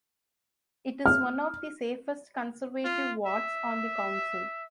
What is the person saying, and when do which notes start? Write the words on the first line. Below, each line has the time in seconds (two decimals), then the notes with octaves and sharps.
It is one of the safest Conservative wards on the council.
1.06 F6
2.85 F4
3.27 E5